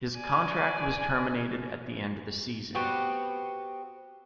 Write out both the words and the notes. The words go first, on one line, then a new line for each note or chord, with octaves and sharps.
His contract was terminated at the end of the season.
D5 G#5
B3 C4 F#4 G4